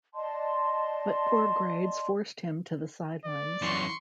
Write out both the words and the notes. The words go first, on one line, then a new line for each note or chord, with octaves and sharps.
But poor grades forced him to the sidelines.
D5 D#5 A5 C6
D5
F#2 E3 C6 C#6